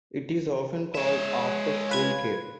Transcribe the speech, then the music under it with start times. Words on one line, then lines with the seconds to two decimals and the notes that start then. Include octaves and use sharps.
It is often called After School Care.
0.94 G#3 C#5 E5
1.89 F4 B4 G#6